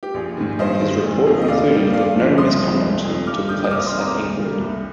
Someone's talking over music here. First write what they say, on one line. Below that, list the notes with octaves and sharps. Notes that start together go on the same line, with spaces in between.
His report concluded that no misconduct took place at the inquiry.
G4
A#1 G#4
G#2 D#3
G2 C5 D#5
D#3 G#3
F1
F2 D#3 A#3
D#5
D#2 D5 F5
D#3 G3 A#3
G2 D5 F5
D3 F3
C2 C6 D#6
C3 F3 G#3
G1
F2 D#3
G2 D6 F6
D3 G3 A#3 D#6 G6
D#6
C2 D6 F6
C6 D#6
C3 D#3 G#3
A#5 D6
D#2
D3 G3 A#3
C2